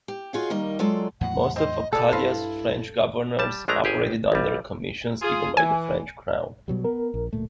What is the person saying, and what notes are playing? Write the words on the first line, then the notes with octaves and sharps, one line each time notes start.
Most of Acadia's French governors operated under commissions given by the French crown.
G4
F4 F#4 G#4 C#5 D#5 F5
D#3 G3 A#3 D#5
F#3 G#3 F4 A4 D5 A#5
E2 A2 F#3 F#5
C4 C5 D#5
E3 G#3 G4 A4 D5
G2 E4 B4 C5 F5
G3 A5
A#1 G#3 A3 D4 A#5
G1 G4 G#4 G#5
B1 G3
F4 G#4
E3 G#5
B2 F#3 G3
B3 A#4
A#1
D1 A#2 A3